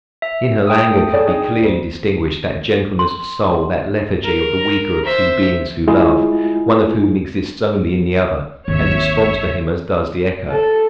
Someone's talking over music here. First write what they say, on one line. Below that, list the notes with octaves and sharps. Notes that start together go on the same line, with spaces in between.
In her languor could be clearly distinguished that gentleness of soul, that lethargy of the weaker of two beings who love, one of whom exists only in the other and responds to him as does the echo.
E5
G5 D#6
A3
A3 G#4 D5 A5
D4 D#4
D2
C6
A#4
C5 E5
G#3 E4 F4 G#4
G#1 D#2 C#5 E5
A4